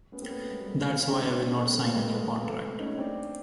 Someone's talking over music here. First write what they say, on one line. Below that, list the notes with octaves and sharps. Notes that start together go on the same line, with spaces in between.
That's why I will not sign a new contract.
B3 C#4
A#3 C4
A3 B3
B3
G#3 A#3
G3 A3
G#3 A#3
A3 B3
C4 D4
C#4 D#4
C4 D4
B3 C#4
A#3 C4
A3 B3
A#3 C4
A3 B3
G#3 A#3
A3 B3
G#3 A#3
A3 B3
C#4 D#4
C4 D4